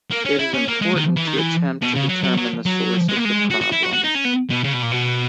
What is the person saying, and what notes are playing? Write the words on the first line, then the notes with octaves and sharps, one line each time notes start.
It is important to attempt to determine the source of the problem.
A#3
C#4
E4
C#4
A#3
G#3
D#3
E3
D#3
E3
B2
C#3
F#3
F#3
F#3
F#3
G#3
A#3
G#3
F#4
F#4
E4
F#4
F#4
D#4
C#4
B3
B2
C#3
B2
A#2
B2